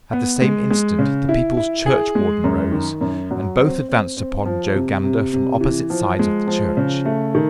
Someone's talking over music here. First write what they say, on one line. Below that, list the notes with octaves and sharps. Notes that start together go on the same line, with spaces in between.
At the same instant the people's churchwarden rose, and both advanced upon Joe Gander from opposite sides of the church.
B3
G#3
G#3
C#3
E4
E4
G#4
G#3
F#2
D#3
F#2
F#3
C4
C4
C4
F3
C3
C3
C3
E3
F3
G#3
F3
C#3
A3
D#3